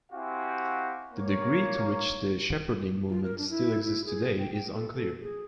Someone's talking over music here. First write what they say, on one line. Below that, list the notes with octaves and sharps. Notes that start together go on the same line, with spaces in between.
The degree to which the Shepherding Movement still exists today is unclear.
C4 E4 F#4 G4 F5 G#5
A#3 C#5
F4
A#4
D4
E4
E4
G#4
G5
G5
A4
A4
G#4